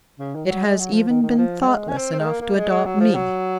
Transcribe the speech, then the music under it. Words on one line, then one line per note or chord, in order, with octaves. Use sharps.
"It has even been thoughtless enough to adopt me."
C#3
D#3
F3
F#3
G#3
F#3
F3
D#3
D#3
F3
F#3
G#3
C#4
C4
C4
G#3
A#3
A#3
G#3
G#3
F#3
F3
F#3